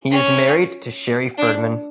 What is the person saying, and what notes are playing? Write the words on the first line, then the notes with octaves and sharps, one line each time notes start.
He is married to Sherry Ferdman.
C#4
D4